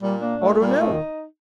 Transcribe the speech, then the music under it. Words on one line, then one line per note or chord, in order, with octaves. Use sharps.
"I don't know."
A#2 G3
A#3 D4
A#2 A3
A#2 G3
A3 D#4
D#3